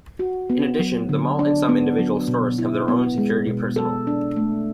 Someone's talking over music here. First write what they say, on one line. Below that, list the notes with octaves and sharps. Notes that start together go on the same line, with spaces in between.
In addition, the mall and some individual stores have their own security personnel.
F#4
B3
F#3
D3
D4
B3
F#3
B2
E4
B3
G#3
B2
A4
D4
A3